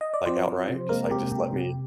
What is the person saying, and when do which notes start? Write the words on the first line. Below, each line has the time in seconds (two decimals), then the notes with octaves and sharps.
Like, outright. Just, like, just let me
0.01 D#5
0.14 D5
0.26 F3 C4 C5
0.48 F3
0.69 C3
0.89 G#3 A#3 A#4
1.11 C3 G4
1.32 C3 G4
1.53 C3